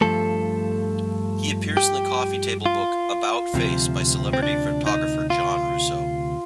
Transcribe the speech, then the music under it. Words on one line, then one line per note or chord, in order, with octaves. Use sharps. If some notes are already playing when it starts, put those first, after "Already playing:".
He appears in the coffee table book "About Face" by celebrity photographer John Russo.
G2 F3 A3 A4
G4
F4
D2 C3 F3
C4
D4
D#4
F4